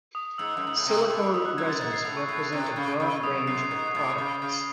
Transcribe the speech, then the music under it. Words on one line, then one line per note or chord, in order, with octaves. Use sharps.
Silicone resins represent a broad range of products.
D#6
G#2 E6
F#2
G#2
A2
C3
A2
G#2 D#6
F#6
F#2 G#6
A6
G#2 A6
C7
A2 D#6
C#6
A2
C3
C#3
C#3
C#6
F#2 D#6
D#6
F#2 C7
C7
G#2
A2
C#3 C7
C#3